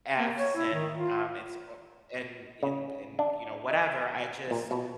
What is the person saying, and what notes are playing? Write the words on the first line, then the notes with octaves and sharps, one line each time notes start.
Fs and, um, it's ob and in in you know, whatever, I just
A#3
C#5
E4
D#3
F4
C#3
D4
D#5
A#2
B2